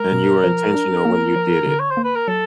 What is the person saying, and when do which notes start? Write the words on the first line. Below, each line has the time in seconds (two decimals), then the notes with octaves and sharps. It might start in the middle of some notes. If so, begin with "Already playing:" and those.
And you were intentional when you did it.
Already playing: G#3 A#4
0.12 B2
0.44 F3
0.74 D4
1.05 A#3
1.36 F3
1.66 D3
1.79 C#5
1.91 C5
1.97 A#3
2.04 B4
2.16 A#4
2.28 F#3 A4